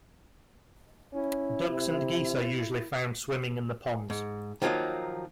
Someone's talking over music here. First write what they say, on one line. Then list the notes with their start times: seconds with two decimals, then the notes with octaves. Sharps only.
Ducks and geese are usually found swimming in the ponds.
1.13 C#4 E4
1.68 C3
4.10 G#2
4.62 D#3 F3 F#3 A#3 D#4